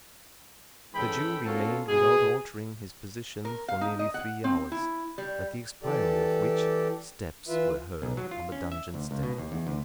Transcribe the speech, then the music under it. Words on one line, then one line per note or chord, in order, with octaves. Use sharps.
The Jew remained, without altering his position, for nearly three hours, at the expiry of which steps were heard on the dungeon stair.
G#2 E3 C#4 A4 G5 B5
A#3 C4 C#4 F4 F#4 A4
B2 G#4
A#4
F5
D#4
D#5
F#5
C4
E4
G3
E3 G4 A4 D5
E3 F4 B4 E5
B1
F#3
F4
C#4
E5
D2
C#2
B2
D#2
E2
D2